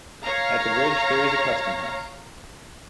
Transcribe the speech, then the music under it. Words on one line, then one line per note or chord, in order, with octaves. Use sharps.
At the bridge there is a Custom House.
C#5 F5 A#5